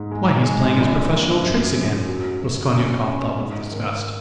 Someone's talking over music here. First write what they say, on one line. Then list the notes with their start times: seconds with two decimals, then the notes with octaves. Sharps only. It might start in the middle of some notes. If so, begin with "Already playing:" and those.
"Why, he's playing his professional tricks again," Raskolnikov thought with disgust.
Already playing: G#2
0.11 G#3
0.43 G#3
0.77 A#1
1.09 A#1
1.42 F#2
1.75 F#2
2.07 F#3
2.40 F#3
2.72 C#4
3.06 C#4
3.39 G#2
3.71 D#3